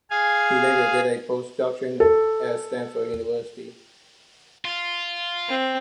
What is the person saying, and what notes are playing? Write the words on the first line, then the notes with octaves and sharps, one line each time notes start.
He later did a post-doctorate at Stanford University.
G#4 F5 G#5
A4
F4
C4